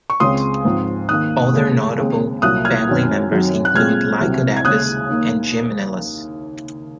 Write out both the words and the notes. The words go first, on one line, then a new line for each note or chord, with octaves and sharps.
Other notable family members include "Lycodapus" and "Gymnelus".
C#6
C#2 C#3 G#3 C4 C6 D#6
G#2 F3 C4
D#2 D#3 A#3 D#6 F#6
D#2 C#3 G#3
D#2 C#3 G#3 C4
C2 A#2 F#3 A#3 D#6 F#6
F6 G#6
F#2 D#3 F#3 C4
F#2 D#3 F#3 C4
F#6
A#2 G#3 C4 F6 G#6
C2 C3 F#3 C4
G#6
D#2 C#3 G#3 D#6 F#6
D#2 D#3 A#3